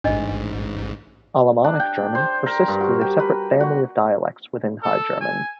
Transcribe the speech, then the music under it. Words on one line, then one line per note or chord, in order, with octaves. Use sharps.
Alemannic German persists as a separate family of dialects within High German.
A1 G#2 D4 D#5
D4
G5
C5
A#4
G2
F#4
G4
B4
F#4
A4
G#5